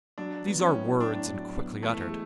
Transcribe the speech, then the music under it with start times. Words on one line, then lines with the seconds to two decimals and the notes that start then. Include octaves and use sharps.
These are words and quickly uttered.
0.18 F#3 D4
0.46 B3
0.59 C#4
0.73 A2
1.00 A2 D4
1.28 F#3
1.55 B3
1.83 E3 A3
2.10 G#3